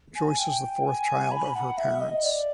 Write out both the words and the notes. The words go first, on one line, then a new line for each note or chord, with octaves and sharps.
Joyce is the fourth child of her parents.
G#5
G5
G#5
B5
F#5
E5
D#5
D5